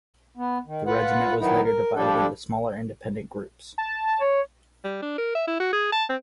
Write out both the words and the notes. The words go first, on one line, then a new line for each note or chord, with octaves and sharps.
The regiment was later divided into smaller independent groups.
B3
D#3
F4 B4 F#5
D#3 F#3 B3 D#4 E4
A#4
F3 G3 D4 A4
A5
C#5
G3
D4
A#4
E5
E4
F#4
G#4
A5
C4